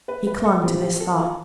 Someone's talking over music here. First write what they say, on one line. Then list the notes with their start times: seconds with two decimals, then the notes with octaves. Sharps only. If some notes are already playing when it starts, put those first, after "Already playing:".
He clung to this thought.
0.08 B4
0.27 B4
0.45 A4
0.63 A2 F3 C4 G4
0.82 G4
1.00 A4
1.19 F4